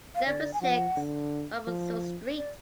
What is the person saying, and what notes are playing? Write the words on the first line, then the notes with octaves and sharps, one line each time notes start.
Number six, Barbezieux street.
F5
D3 D5
G#5
F3 F#5
D3
F3
D5